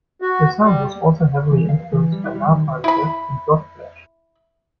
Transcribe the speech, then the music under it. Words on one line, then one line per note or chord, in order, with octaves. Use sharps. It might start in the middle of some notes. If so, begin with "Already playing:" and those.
The sound was also heavily influenced by Napalm Death and Godflesh.
F#4
G3
E3
F5
E3
G3
E4
G3
D#3
E4 B5